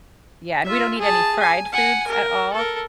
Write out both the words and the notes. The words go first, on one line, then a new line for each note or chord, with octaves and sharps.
Yeah, and we don't eat any fried foods at all,
F4 E5
G#4 A5
G#5
F#5 G#5
A#4
A4 A#4